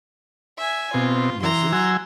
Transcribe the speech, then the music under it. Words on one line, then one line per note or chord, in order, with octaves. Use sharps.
"Yes, sir."
E5 G#5
B2 C4 F4
E3 A#5 C6
F#3 G#5 E6